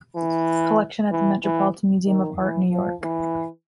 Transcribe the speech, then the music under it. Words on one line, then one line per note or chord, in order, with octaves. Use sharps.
Collection at the Metropolitan Museum of Art, New York.
E3
E3
E3
D#3
E3
F3
E3